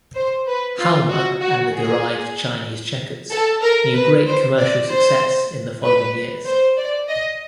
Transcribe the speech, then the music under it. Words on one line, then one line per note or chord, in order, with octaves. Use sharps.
Halma and the derived Chinese checkers knew great commercial success in the following years.
C5
B4
F4
F#4
F#4
G#4
A4
A#4
B4
C5
D5
C5
B4
C5
D5
D#5